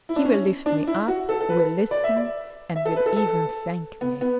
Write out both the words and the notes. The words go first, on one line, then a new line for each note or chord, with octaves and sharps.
He will lift me up, will listen, and will even thank me.
E4
D4
C#4
D4
E4
F#4
A4
A4
B4
D5
E5
D5
E5
A4
B4
A4
A4
B3
B3